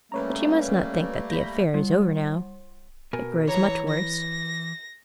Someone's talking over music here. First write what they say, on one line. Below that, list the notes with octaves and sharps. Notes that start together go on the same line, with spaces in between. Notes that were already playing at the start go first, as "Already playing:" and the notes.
But you must not think that the affair is over now; it grows much worse.
G3 A3 A#3 C#4 B4 C#5 A#5
B5 G6 A#6
G3
B2 A#4 G#5
E3 C#5 A#5
A#6